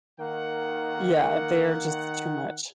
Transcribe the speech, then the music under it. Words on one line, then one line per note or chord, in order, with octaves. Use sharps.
Yeah. They're just too much.
D#3 A#3 F#5